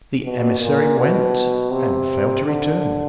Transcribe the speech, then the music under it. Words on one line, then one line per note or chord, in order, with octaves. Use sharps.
The emissary went, and failed to return.
B2
A#2
B2
C3
D3